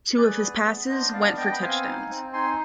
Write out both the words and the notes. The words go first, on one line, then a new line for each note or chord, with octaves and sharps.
Two of his passes went for touchdowns.
G#4 B4 D5
B3
B3
D4 C5 D#5
B3 D5 F5
B3 D#5 G5
B5
C4 F5 G#5
D#4
C4
D#4 G#5 C6